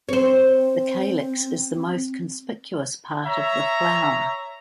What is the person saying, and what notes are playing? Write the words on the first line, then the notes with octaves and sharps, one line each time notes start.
The calyx is the most conspicuous part of the flower.
C4 C5 C#5
C#5 E5 A#5